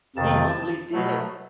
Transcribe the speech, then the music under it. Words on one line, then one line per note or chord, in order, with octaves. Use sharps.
He humbly did.
F2 C3 D#3 A5
B2 F#3 A3